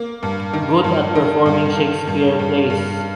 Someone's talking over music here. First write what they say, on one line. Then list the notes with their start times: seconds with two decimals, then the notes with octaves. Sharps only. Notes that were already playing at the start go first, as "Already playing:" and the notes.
Good at performing Shakespeare plays.
Already playing: A#3
0.23 G2
0.53 D#3
0.84 G2
1.15 D#3
1.46 G2
1.77 D#3
2.08 G2
2.39 G2
2.70 G2